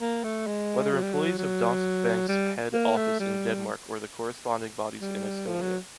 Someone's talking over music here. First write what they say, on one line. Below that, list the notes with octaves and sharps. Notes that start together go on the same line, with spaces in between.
Whether employees of Danske Bank’s head office in Denmark or the corresponding bodies in Estonia?
A#3
A3
G#3
F#3
G3
F#3
F#3
G3
A#3
A3
G3
G3
F3
F#3